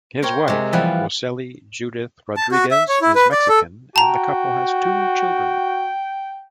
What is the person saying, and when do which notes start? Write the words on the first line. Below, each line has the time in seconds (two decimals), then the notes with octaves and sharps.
His wife Rosseli Judith Rodriguez is Mexican and the couple has two children.
0.22 A#4 C5 C#5 G5
0.48 C3 G#3
0.73 E3 F3 G3 B3 B4
2.37 A5
2.52 F#4
2.71 E5
2.89 C#5
3.02 E4
3.15 B4
3.32 D5
3.49 A4
3.96 F#4 G5 A5 A#5